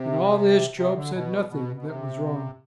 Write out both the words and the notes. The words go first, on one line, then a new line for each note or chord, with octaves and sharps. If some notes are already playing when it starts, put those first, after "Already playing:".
In all this Job said nothing that was wrong.
Already playing: C3
C3
D3
B2
B2
B2
C3